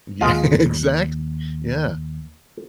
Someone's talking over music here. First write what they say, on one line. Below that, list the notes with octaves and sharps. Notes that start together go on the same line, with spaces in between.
Yeah, exactly. Yeah.
D#2 G#3 F4